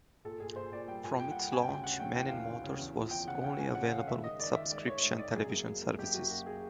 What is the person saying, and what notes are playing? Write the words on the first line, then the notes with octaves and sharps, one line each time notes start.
From its launch, Men and Motors was only available with subscription television services.
A#2 A4
A#2 G#4
A#2 C5
A#2 D5
G3 G5
A#2 G#5
G3 G5
F#5
G3 G5
C#3 G#5
G5
D2
G5
C#3 F#5
A3 G5
E3 G5
F5
D2
D2
C#3
E2
F3
E2 G5
C#3 F#5
C#3 G5
F3 G#5
C#3 F#5
C#3 F5
D#3 E5
G#3 D#5
D#3 D5
D#3 E5
G#3 D5
D#3 C#5
G#2 C#5
G#3 D5
F#2 G#4
A#3 G#4
F#2
A#3
F#2 G4
F#2 F#4
A#3 F#4
G#4